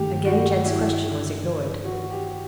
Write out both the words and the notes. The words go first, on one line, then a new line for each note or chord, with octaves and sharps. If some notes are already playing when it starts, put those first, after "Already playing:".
Again Jed's question was ignored.
Already playing: G2 D#3 A3 G4
F#4
E4
F#4
G4